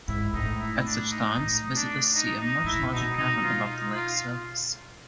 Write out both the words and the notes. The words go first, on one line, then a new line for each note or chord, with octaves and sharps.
At such times visitors see a much larger cavern above the lake surface.
G#2 E4
A2 D#4
E4
D4
D#4
A2 D#4
D4
D#4
D#4
G#2 E4
A2
A#2
B2 D#4
D#4
F4
D#4
F4